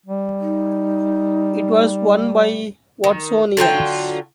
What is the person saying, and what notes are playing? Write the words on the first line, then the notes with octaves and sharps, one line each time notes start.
It was won by Watsonians.
G3
D#4
D#3
D3 F#3 F4 G5